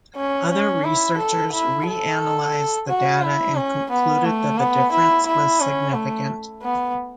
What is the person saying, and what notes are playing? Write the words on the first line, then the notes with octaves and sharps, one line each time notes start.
Other researchers reanalyzed the data and concluded that the difference was significant.
C#4
C#4
E4
A4
E4
A4
F#4
E4
C#4
B3
A3
B3
E4
E4
C#4
A3
B3